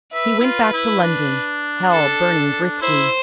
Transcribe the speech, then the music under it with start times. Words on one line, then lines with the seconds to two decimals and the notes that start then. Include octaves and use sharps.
He went back to London, hell burning briskly.
0.14 B4 E5
0.40 E4
0.44 F4
0.73 E4
1.02 D4
1.92 A4
2.81 E4 C5